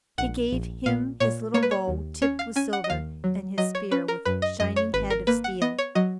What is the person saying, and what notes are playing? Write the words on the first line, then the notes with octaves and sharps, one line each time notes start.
He gave him his little bow tipped with silver, and his spear with shining head of steel.
A#1 F#5
A#1
A#2 F5
A#2 C#5
A#3 C#5
B4
C#5
D#2
C#4 C#5
F5
C#4 G#5
F#5
D#5
D#2 F5
F#3
F#3 D#5
C#5
C#4 B4
A#4
F#2 B4
D#5
F#2 D#5
C#5
G#1 B4
A#4
A#3 B4
F#5
B3 D#5
C#5
F#3 D#5